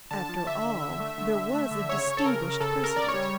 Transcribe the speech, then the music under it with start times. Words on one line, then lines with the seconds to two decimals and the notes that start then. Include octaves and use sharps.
After all, there was a distinguished precedent.
0.11 D3 A5
0.29 F3
0.47 D3 E5
0.64 D3
0.82 D3
1.00 A3
1.18 D3
1.35 D3
1.54 A3
1.71 D3
1.89 C#3 C#5
2.07 C#3
2.17 A4
2.25 C#3 A#4
2.42 C#3
2.61 C#3 A4
2.78 C#3
2.84 A#4
2.96 C#3 D5
3.08 C#5
3.14 G3